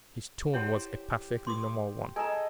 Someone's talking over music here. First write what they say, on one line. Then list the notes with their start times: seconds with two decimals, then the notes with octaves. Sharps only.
His tone was a perfectly normal one.
0.54 E4 G4 C5 C#5 F#5
1.47 C6 D6 D#6
2.16 G#4 A4 D#5 G#5 A#5